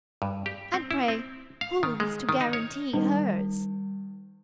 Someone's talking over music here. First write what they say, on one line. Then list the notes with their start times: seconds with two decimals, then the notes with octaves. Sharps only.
"And pray who is to guarantee hers?"
0.22 G2
0.46 G4
0.74 C4
0.91 E4
1.08 C4
1.61 F5
1.83 D#3
2.00 G#3
2.29 D#3
2.41 D#4
2.53 C#5
2.93 D#3 G3